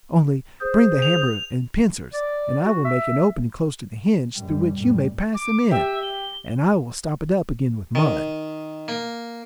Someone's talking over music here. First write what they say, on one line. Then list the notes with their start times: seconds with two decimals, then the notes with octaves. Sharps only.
Only bring the hammer and pincers, and I will make an opening close to the hinge, through which you may pass them in, and I will stop it up again with mud.
0.61 G#4 C5
1.02 F7
2.14 D5
2.64 F#4
2.85 E5
4.38 C#2 F#2 G3
4.77 F1 A2 G3
5.34 D6
5.71 G4 E5
6.02 G7
7.95 D#3
8.88 A#3